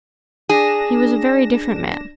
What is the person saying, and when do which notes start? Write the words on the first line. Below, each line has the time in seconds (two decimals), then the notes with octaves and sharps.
He was a very different man.
0.49 D4 G#4 A#6 E7